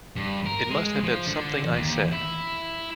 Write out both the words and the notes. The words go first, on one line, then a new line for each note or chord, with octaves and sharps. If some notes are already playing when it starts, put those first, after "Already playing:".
It Must Have Been Something I Said!
G2
A#4
G#3
F3
D3
D#2
E4